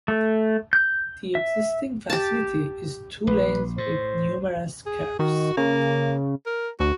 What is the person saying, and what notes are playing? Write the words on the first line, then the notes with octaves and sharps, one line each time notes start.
The existing facility is two lanes with numerous curves.
A3
G6
E5
G4 A5
A#1 B4
A2 C5
G#4
D#3 F#4
C#3 A#3
A#4
D2 F#4